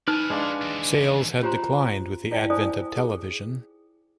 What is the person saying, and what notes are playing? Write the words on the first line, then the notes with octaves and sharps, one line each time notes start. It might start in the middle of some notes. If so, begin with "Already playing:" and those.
Sales had declined with the advent of television.
D#4 B4 D5 G#5 F6
G#3 D4 F5
D#2 E3
C#4 F4 G4 C5 A#5 C6
E4 D5 F5 G5 A5
D#4 E4 C5 D5 G#5 D#6
G#4